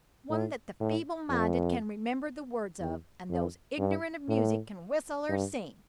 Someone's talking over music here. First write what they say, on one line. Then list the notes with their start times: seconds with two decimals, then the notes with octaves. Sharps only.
One that the feeble-minded can remember the words of and those ignorant of music can whistle or sing.
0.30 A2
0.80 A2
1.30 F2
2.80 E2
3.30 F2
3.79 G2
4.29 A2
5.29 G2